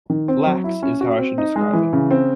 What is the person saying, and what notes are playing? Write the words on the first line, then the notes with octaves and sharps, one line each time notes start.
Lax, is how I should describe it.
D#3
C4
F#3
E4
C#4
F#4
C4
D#4
G#3
E3
C#3
C4